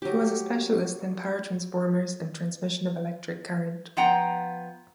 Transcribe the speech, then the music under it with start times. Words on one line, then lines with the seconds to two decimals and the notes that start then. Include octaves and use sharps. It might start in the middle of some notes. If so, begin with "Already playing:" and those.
He was a specialist in power transformers and transmission of electric current.
0.02 F#3 G4
3.97 F3 B3 F#5 G5 A#5